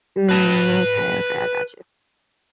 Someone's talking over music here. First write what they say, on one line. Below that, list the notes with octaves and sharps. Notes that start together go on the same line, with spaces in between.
Mm, okay, okay, I got you.
B4 A5